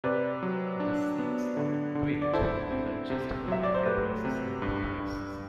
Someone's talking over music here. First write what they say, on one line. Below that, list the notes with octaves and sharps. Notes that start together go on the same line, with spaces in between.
The seats are equipped with adjustable headrests and footrests.
C3 B4 D5
F#3
D4
B3
D3
D3
D5
E4 A4 C5
C4
C3
F#3 E5
D5
C5
A3 G4 B4
C3
G2
G2